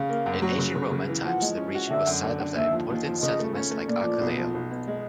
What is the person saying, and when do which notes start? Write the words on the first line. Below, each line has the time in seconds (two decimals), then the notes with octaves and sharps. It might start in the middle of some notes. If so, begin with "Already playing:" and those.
In Ancient Roman times the region was the site of important settlements like Aquileia.
Already playing: C#3 F5
0.09 A#3
0.26 F#2
0.42 F#3
0.58 C#3
0.75 C#3
0.91 C#3
1.08 E3
1.24 F3 F#5
1.42 G#3
1.57 C#4
1.75 F#4
1.90 D3 E5
2.07 F#2
2.23 D3
2.40 D3
2.56 D#2 E5
2.73 F3
2.90 D#2
3.05 F3
3.22 C#3 D#5
3.39 A3
3.55 C#4
3.71 A3
3.88 A#2 D5
4.04 F3
4.21 B1
4.38 F3
4.54 B1
4.71 B2
4.87 G#3